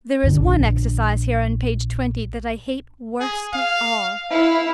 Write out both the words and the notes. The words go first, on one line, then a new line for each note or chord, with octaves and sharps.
There is one exercise here on page twenty that I hate worst of all.
C#2 G2 D3 D4
A#1 D4
G#4
F5
E4 F5